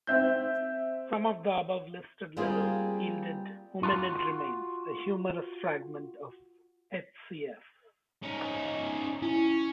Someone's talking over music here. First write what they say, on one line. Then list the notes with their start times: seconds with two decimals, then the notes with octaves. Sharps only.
Some of the above-listed levels yielded hominid remains: a humerus fragment of H. cf.
0.07 C4 E5 G6
2.37 G3 A#3 C4 F4 G#4
3.83 F4 F#4 A#5 C6
8.23 C#4 D#4
9.22 C#4 E4